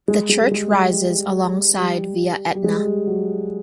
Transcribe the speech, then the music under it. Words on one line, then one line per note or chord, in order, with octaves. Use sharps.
The church rises alongside via Etna.
G#3
G#3
G3
G#3
G3
G3
G3
G#3
G3
F#3